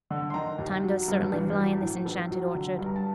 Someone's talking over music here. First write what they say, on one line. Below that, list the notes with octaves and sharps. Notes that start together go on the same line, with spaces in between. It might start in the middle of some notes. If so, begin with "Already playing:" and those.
Time does certainly fly in this enchanted orchard.
D3
C6
D#3 A#5
D#2
F#3
G2
A1
F#3
A2
A#1
F#3
D3
G2
A#5
A5